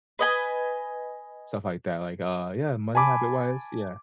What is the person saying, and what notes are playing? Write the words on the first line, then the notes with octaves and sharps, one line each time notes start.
stuff like that, like, uh yeah, money habit-wise, yeah.
B4 D#5 G#5
G#5 A5 B5 D6